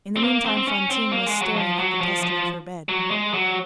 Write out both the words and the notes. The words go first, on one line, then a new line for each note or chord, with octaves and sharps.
In the meantime, Fantine was staring at the tester of her bed.
C4
A#3
C4
C4
C#4
C4
A#3
G#3
F#3
F3
F#3
F3
F3
F#3
G#3
F#3